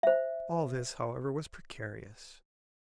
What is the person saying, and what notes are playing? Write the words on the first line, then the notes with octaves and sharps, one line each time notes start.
All this, however, was precarious.
C5 E5